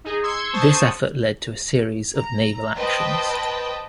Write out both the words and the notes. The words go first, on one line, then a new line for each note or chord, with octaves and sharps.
This effort led to a series of naval actions.
D#4 G#4
C6 E6 G#6 C#7
C5 A5 C#6 D#6
A#5
B4 C5 D#5 G5 A5